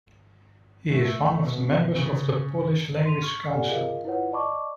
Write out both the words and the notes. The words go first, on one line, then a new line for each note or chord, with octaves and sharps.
He is one of the members of the Polish Language Council.
A3
B2
C#3
C6 D#7 F7
C#6 F6
G4 A4 D5 F#5 G#5
F4 G#4 A#4 D#5 F5
E4 F4 B4 C#5 F#5
D5 D#5 A5 B5 C#6 D6